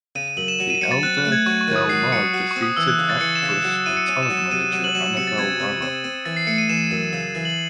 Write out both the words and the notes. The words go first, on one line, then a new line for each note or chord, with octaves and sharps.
The elder Del Mar defeated actress and talent manager Annabelle Rama.
C#3 D#7
F#2 F#7
E7
F#3 E7
D#7
F#3 C#7
A6
C4 F#6
F#6
A3
G#6
F#3 C#6
C#6
D#3
D#6
F#3 C7
F#3 C#7
F#4 C7
C#6
C4
D#6
E3 E6
F#6
C#3
A6
E3 C#7
E7
C#3
E7
F#3 E7
E7
E4 D#7
C#7
C#4 D#7
E7
F#3
E7
C3 D#7
D#7
F#3 E7
F#7
F#3 E7
E7
C3 C#7
A6
C4 G#6
C3
C4
C4
E3 A6
C7
A3 C#7
D#7
E3 E7
F#2
C#3
E3
F#7